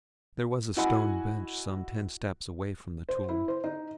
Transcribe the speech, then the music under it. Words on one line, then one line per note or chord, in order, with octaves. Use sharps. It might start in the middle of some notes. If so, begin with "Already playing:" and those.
There was a stone bench some ten steps away from the tomb.
E4 F#4 D#5 F#5 G#5 B5
C5
E4
C5
D#4